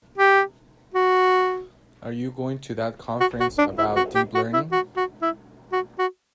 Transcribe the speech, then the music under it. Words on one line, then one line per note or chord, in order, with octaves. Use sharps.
Are you going to that conference about Deep Learning?
G4
F#4
F#4
F#4
D4
E4
F#4
G4
F#4
E4
F#4
F#4
E4
F#4
F#4